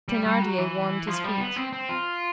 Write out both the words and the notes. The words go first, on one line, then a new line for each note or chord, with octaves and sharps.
Thenardier warmed his feet.
G3
G3
F#3
E3
F3
G3
B3
C4
C4
F4